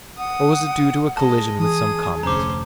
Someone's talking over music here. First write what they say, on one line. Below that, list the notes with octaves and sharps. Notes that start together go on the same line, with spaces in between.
Or was it due to a collision with some comet?
F#5 D#6
G#3 D#5 A5
E3 G#4 D#6
F1 D2 C#4 C5 A#5 D6